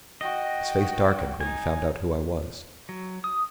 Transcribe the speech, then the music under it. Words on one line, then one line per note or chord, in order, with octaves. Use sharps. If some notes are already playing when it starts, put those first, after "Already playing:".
His face darkened when he found out who I was.
F#4 D#5 G5
D#4 G#5
F#3
D#6